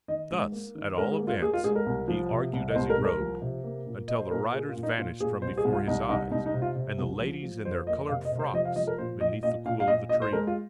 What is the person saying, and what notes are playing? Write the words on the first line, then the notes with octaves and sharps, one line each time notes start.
Thus, at all events, he argued as he rode, until the riders vanished from before his eyes, and the ladies in their coloured frocks beneath the cool of the trees.
D#3 D#5
G#2
A#3
D#3
G#2 A#4
G#4
A#3
F4
A#3 G#4
F4
G#2 G#4
A#4
C2
F3
C3
C2
D#5
C2 C5
A#4
C2
A#4
F3
C3
A#3
A#2
A#3 D#5
C5
A#2 A#4
A#3 G#4
F4
A#2
D#4
A#2 F4
A#2 G#4
C2 C5
G#4
C2
F4
C2 D#4
C2 D#4
C2 D#4
D#4
C3
F4
C3
C2
F3
F3
F2 C5
A#3 D#5
C3 F5
D#5
C3
C5
F3 D#5
F5
F3 D#5
A#4
A#2 C5
A#2 D#5
A#2 D#5
A#2 F5
F5
A#2 D#5
A#2 D#5
C5
G#3 A#4
F4